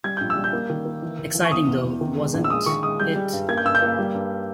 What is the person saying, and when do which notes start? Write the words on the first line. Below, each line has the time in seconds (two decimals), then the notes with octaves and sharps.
Exciting, though... "was"n't it?!
0.04 G3 G#6
0.17 A#1 G6
0.30 E6
0.37 G3
0.44 G6
0.53 A#3
0.70 D#3
0.86 A#3
1.02 E3
1.18 D#2
1.35 E3
1.45 C#6
1.52 E2 D#6
1.68 E2
1.84 E2
2.01 D#3
2.17 G#3
2.34 A#1
2.44 E6
2.50 G#3 D#6
2.66 D#3 C#6
2.83 G#3 D#6
3.00 G3 G6
3.16 G3
3.33 G2
3.49 A#3 G#6
3.57 G6
3.65 G2 E6
3.75 G6
3.82 A#3
3.99 G3
4.14 G2